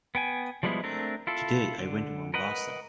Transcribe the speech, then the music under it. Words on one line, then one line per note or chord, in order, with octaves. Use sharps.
Today I went to Mombasa.
B3 G5 G#5
F3 G3 G#3 B3 E4
A3 C4 D4 A#4
E4 F4 A4
D3
A#4 B4 D#5 F#5